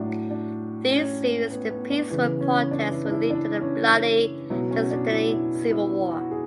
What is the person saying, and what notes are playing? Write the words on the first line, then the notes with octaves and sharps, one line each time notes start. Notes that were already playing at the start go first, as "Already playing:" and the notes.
These series of peaceful protests would lead to the bloody Tajikistani Civil War.
Already playing: A2 F#3 D4
D4
C#4
B3
B3
D4
C#3 E3 B3
C#4
D4
E4
D4
E4
D4
C#4
C#4
B2 F#3 E4
C#4
D4
E4
E4
E4
D4
F#4
G#4